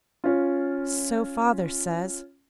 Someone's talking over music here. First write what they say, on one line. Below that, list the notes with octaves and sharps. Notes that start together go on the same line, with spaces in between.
'So father says.
C#4 F4